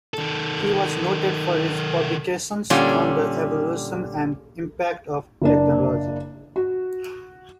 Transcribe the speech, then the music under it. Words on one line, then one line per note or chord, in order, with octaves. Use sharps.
He was noted for his publications on the evolution and impact of technology.
D#3 A4
A#2 D3 G3 C#4
F#1 A#3 D4
F#4